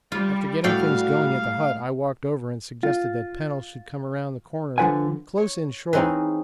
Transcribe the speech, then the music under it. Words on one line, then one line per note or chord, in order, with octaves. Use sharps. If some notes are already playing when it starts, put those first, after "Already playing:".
After getting things going at the hut, I walked over and suggested that Pennell should come round the corner close in shore.
G3 F4
A2 G3 F#4 D5 F5 G5
F4
D3 F3 F4 B4 F#5 G#5
C#5
E3 G#3 C4 C#4 D#4